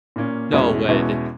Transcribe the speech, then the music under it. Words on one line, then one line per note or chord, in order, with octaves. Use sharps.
No way, they
A#2 A#3 C#4
E2 B2 G#3 C#4 E4
E2 B2 G#3 C#4 E4